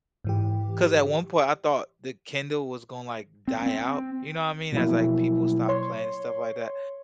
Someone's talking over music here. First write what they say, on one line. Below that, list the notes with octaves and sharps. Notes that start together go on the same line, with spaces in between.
'cause at one point I thought the Kindle was gonna, like, die out, you know what I mean, as, like, people stop playing and stuff like that.
G#2 E3 G4
C4
C4
B2 F3 F#3 A#3 E4
C#5 C6